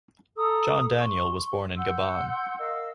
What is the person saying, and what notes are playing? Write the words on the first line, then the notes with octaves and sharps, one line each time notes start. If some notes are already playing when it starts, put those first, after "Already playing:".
John Daniel was born in Gabon.
A4 A#5 D#6 E6
C6 C#6
F#5 C6 E6 G6
A#4 D#5 F5 E6